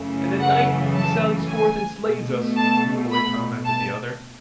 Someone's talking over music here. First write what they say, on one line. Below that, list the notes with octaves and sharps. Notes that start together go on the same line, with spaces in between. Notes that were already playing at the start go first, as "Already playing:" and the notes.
"And at night he sallies forth and slays us," gloomily commented the other.
Already playing: F#2 C#3 E3 A3
F#5
A5
G#5
B2 A3
A5
B5
A5